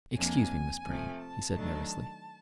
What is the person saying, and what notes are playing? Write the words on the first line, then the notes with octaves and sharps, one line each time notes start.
"Excuse me, Miss Vrain," he said nervously.
F2 C3 F3 A#3 D4 G#5
C3 F3 A3
A5
D#3 F#3 A3 D4